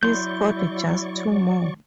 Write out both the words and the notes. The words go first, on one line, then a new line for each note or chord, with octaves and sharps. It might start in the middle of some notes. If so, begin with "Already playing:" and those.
He scored just two more.
F#3 E4 D5 C6 C#6 G6